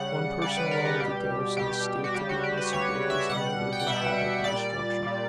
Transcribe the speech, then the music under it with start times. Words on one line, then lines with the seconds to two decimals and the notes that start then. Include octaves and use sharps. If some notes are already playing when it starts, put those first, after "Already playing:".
One person alone of the garrison escaped to be a messenger of this universal havoc and destruction.
Already playing: C#3 G3 F#5
0.42 C#3 G3 D5
0.57 B4
0.71 A#4
0.85 G4
1.00 B2 G3 G4
1.57 B2 G3 G4
2.04 F#4
2.14 C#3 G3 G4
2.29 F#4
2.44 G4
2.58 B4
2.72 C#3 G3 C#5
3.10 E5
3.30 B2 G3 F#5
3.73 G5
3.80 F#5
3.87 B2 G3 E5
4.44 A#2 G3 D5
5.03 A#2 G3